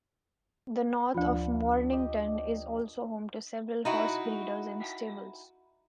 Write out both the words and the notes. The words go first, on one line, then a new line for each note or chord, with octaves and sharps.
The north of Mornington is also home to several horse breeders and stables.
D2 F3 D4 B5
G4 D#5
D#4 E4 F#4